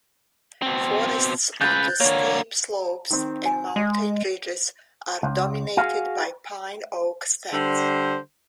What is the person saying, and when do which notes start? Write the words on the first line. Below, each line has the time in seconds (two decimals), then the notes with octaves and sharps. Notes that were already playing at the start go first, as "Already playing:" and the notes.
Forests on the steep slopes and mountain ridges are dominated by pine-oak stands.
0.62 B2 C4
1.61 C#3 B4 F#6 G6 A6
2.01 D3 A#3 C#5
3.10 D#3 C4
3.46 G#5
3.76 G#3 D#5
5.23 C#2
5.77 F#4 G#4 F5
7.53 D3 G3 C5